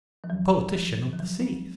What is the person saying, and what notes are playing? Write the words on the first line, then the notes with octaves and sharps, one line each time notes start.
A politician of the seas.
F3
D#2 D#3 F#3
F3
F3
F#3
G#3 C4